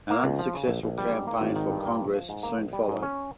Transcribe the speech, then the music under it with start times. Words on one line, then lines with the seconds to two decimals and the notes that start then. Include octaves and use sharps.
An unsuccessful campaign for Congress soon followed.
0.10 A#3
0.24 C#2
0.39 F3
0.54 C#3
0.67 A#1
0.83 A#1
0.98 G3
1.12 G#2
1.27 A#3
1.41 G#1
1.56 D#3
1.70 G2
1.86 A#3
2.00 A#1
2.15 F3
2.29 G#2
2.43 A#3
2.58 A#1
2.73 G3
2.88 G#2
3.02 C#4